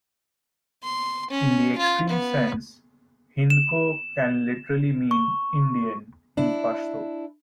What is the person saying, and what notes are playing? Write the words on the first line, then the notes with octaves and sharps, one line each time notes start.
In the extreme sense, Hindko can literally mean "Indian" in Pashto.
C6
C#4
F4
B3
E7
C#6
D4 E4